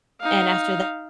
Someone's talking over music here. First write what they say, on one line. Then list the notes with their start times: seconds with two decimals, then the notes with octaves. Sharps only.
and after
0.21 D#4 F5